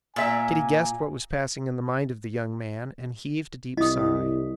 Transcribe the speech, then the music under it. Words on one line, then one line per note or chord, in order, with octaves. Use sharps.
Kitty guessed what was passing in the mind of the young man, and heaved a deep sigh.
A#2 E5 G#5
C2 E4 D#5 D#6